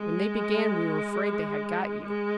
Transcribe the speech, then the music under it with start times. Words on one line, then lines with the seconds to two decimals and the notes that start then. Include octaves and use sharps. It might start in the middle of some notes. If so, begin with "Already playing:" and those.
When they began we were afraid they had got you.
Already playing: G#3
2.04 G#3